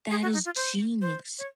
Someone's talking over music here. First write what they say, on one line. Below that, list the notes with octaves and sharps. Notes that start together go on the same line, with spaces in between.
That is genius.
G#4
F#4
D#4
F4
C5
C5
C#5